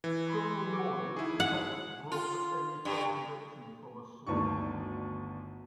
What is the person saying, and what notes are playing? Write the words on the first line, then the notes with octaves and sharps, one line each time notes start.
Colonel Lloyd could not brook any contradiction from a slave.
E3
B5 C6
C#6 D6
D#4 E4 G#4
F#5
F4
G2
G1 D2 D#3 C#6